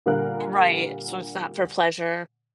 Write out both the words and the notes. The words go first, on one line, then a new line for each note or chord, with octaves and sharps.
Right, so it's not for pleasure.
A#2 D3 G3 A#4 F5 F#6